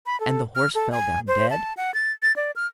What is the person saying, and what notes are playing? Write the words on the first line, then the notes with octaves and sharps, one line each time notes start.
And the horse fell down dead.
B5
A4
F6
A4
G#5
C5
A5
F#5
A6
A6
D5
F6